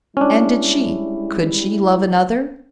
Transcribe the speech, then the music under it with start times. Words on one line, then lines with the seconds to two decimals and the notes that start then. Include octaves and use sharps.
And did she, could she love another?
0.17 G3 G#3 C#4 D4 E4